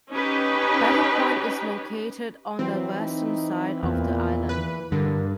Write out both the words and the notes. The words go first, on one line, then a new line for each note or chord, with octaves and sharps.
Battle Point is located on the western side of the island.
C#4 D#4 G4 B4
E3 F#3 C4
D#4
E2 A#2
B4
G2 D3 A#4